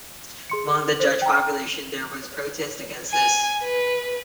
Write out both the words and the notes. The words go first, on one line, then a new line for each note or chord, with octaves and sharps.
Among the Dutch population there was protest against this.
G#4 C6 C#7
C5
G5 A#5
G#5
B4